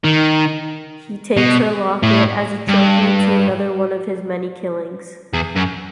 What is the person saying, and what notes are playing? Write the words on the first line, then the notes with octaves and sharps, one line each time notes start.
He takes her locket as a trophy to another one of his many killings.
D#3
B2
A2
G2
E2
F#2